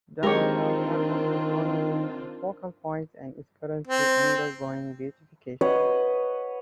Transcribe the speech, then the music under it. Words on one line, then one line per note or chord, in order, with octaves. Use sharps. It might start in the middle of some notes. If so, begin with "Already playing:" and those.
Downtown Tarpon has long been a focal point and is currently undergoing beautification.
D#3 G#3 C4 D4 F4 G4 A#4 C#5
C4
B4 C#5 D#5 F#5